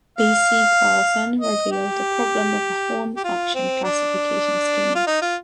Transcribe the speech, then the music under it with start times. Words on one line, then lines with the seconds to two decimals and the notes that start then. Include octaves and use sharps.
B. C. Carlson revealed a problem with the Horn function classification scheme.
0.18 F5
1.41 D#5
1.72 G4
3.17 G4
3.24 F4
3.55 C4
3.84 D4
4.95 F4
5.07 D#4
5.22 F4